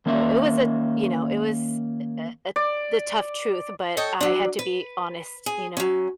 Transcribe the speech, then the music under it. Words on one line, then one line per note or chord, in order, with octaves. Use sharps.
I it was a you know, it was a a a the tough truth, but I had to be honest, you know?
D#3 A#3 C#4 E5
D5
A4 C#5 D#5 G5
F#3 D4
B4
G#4
F#3 C#4